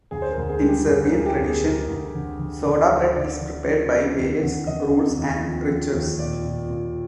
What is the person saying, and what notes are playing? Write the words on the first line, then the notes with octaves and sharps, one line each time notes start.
In Serbian tradition, soda bread is prepared by various rules and rituals.
D2 G#4
C5
A#4
D2
G#4
G3
G4
D2 G#4
A#4
D2
G#4
G4
D2
G#4
D2 A#4
D2
D3
D3
D3
D2
D3 D5
D3
F3
C4
D#2
D3
D3 D#5
C4
D#2
F3
F3
D#2
A#2 D5
A#2
A#2